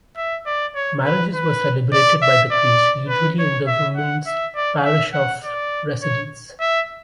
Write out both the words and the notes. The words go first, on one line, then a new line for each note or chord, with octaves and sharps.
Marriages were celebrated by the priest, usually in the woman's parish of residence.
E5
D5
C#5
B4
B4
D5
E5
D5
B4
C#5
E5
F#5
E5
D5
E5
F#5
D5
C#5
E5